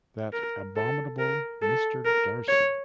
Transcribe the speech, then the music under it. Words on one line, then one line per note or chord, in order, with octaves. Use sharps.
That abominable Mr. Darcy!
A#4
A4
A#4
A4
A#4
C#5